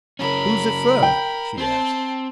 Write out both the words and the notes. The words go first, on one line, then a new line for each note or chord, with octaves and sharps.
"Who's it fur?" she asked.
C#3 F#3 C#4 A#4 B5
G5
C4 C5 A5